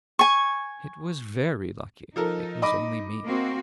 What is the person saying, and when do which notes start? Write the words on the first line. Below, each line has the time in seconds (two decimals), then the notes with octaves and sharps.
It was very lucky it was only me.'
0.19 G#5 C#6
2.16 F3 D#4 A4 A#4
2.62 D#5 B5 D6
3.24 A#3 C4 F#4